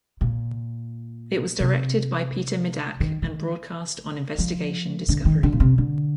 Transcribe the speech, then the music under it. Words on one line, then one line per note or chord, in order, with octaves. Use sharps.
It was directed by Peter Medak and broadcast on Investigation Discovery.
A#2
C3
D#3
D#3
F3
D3
D#3
D3
A#2
C3
D3